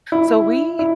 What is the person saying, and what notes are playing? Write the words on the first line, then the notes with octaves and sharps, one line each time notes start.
So, we
E4
E4